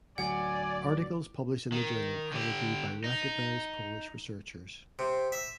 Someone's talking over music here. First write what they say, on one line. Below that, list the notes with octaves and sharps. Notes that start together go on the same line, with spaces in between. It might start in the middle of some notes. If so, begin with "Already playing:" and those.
Articles published in the journal are reviewed by recognized Polish researchers.
D1 D2 F#3 D5 F#5 G#5
D#3
D3 G4
D#4
C3
E5